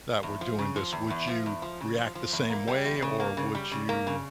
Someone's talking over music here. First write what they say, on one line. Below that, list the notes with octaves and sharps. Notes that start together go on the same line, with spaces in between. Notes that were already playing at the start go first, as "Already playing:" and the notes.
that were doing this? Would you react the same way or would you,
E2
F3
C#3
F3
E2
E2
F3
E2
F3
C#3
F3
F3
E2
A#3
G3
E2
C#3
A#3
C#3
G3
C#3
A#3
C#3